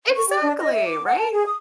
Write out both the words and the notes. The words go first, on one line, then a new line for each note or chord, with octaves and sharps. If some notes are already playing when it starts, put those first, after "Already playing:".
Exactly, right?
C#6
G4
D4
D#5
E5
D6
F#5
A5
G#4
D#6